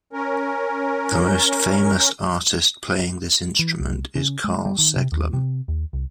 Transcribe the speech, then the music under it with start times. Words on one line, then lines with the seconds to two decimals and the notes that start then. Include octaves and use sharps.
The most famous artist playing this instrument is Karl Seglem.
0.13 C#4 A#4
3.59 E3
3.80 C2
4.15 C#3
4.44 G#3
4.66 G3
4.78 D#3
4.96 C3
5.12 D#2
5.33 C3
5.68 D#2
5.93 C2